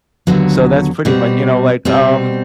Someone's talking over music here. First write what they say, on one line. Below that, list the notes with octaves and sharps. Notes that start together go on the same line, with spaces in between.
So that's pretty mu you know, like, um,
D#2 D3 F#3 B3
B2 G3 C4
B2 G3 C4